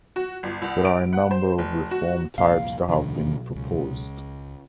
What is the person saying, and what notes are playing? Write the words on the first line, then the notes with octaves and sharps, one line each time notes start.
There are a number of reform types that have been proposed.
F#4
G1
C2
D7
F#5
C5
F1
F#4
C2 F2 A#2 F5
B1 E2 D3
C#2